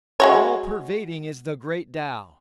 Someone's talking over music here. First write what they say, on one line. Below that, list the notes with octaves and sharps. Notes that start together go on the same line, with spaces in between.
All-pervading is the Great Tao!
G#3 F#4 C#5